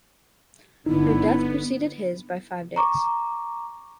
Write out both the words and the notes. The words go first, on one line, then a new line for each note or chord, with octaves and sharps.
Her death preceded his by five days.
G1 D3 B3 D#4 E4
A#5 C#6 D6